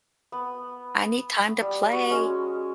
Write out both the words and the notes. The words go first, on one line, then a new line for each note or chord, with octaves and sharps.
I need time to play."
B3
G3
F#4
G#3 C#4